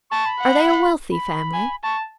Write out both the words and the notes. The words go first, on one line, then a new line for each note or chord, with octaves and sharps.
"Are they a wealthy family?"
A5 C#6
B5
F#5
B5
G#5
A5 C#6